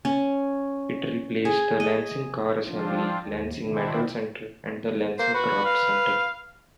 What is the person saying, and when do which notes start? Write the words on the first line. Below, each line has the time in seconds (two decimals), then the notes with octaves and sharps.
It replaced the Lansing Car Assembly, Lansing Metal Center, and the Lansing Craft Center.
0.05 C#4
1.45 G#4
1.80 D#5
2.67 F3 C4 D4 F4
3.23 D#2
3.62 B2 D#3 C4 D4 E4
5.19 A#3 C5
5.34 F#4 B4
5.65 F5